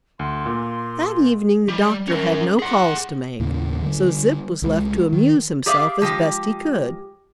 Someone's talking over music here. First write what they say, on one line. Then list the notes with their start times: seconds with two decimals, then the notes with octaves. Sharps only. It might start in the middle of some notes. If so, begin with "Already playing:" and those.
That evening the doctor had no calls to make, so Zip was left to amuse himself as best he could.
0.19 D2 C6
0.46 A#2 A#3
1.69 G3
2.08 C#4 A#4
2.59 G#4 F#5
3.40 D#2 A2 C#3
3.82 D3 G3
4.62 C2 E3 G#3
5.13 D#3
5.66 G4 G#4 D5 E5 F5
6.02 F3 G#3 G4